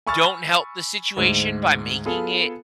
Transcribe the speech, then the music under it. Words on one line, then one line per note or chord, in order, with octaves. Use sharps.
don't help the situation by making it
G#5 B5 C#6 E6 F6 A6
D2 G#2 G#3
B3 F4 G#4 A4